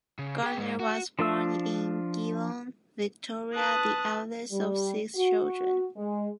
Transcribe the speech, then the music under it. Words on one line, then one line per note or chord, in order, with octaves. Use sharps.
Garner was born in Geelong, Victoria, the eldest of six children.
C#3
G#4 G5
G#2 G#3
F#4
F3 D4 F4 E6
B4 A5 D#6 F#6
G3
F#4
G#3